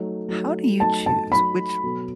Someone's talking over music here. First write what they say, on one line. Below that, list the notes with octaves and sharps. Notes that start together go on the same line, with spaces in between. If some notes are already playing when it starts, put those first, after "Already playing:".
how do you choose which
Already playing: F#3 A3 D#4
F#3 A3 D#4
F#3 A3 D#4 A5
A5
F#3 A3 D#4 B5
B2 F#3 B3 F#4 A4